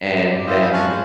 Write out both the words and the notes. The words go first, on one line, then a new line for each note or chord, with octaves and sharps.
and then
G5
D5
E4 C5 D#5 F5 G5
B4 E5 F5 G#5
F5 G#5 A5 C#6 F6 F#6
G#4 C5